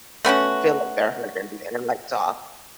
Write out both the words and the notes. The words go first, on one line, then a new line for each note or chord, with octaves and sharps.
feel like they're hurt and and the lights off.
A3 B3 C#4 F#4